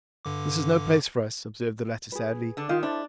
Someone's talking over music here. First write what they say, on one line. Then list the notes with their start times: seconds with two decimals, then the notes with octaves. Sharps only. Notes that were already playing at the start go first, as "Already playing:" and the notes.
'This is no place for us,' observed the latter sadly.
0.25 G2 D3 D6
2.12 G#4 B4
2.57 D3 D4
2.69 D#3 F4 G4 F5
2.83 D4 E4 A4 C5